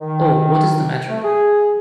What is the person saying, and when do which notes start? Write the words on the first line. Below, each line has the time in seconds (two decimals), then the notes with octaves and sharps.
Oh, what is the matter?
0.01 D#3
1.09 A3
1.24 G#4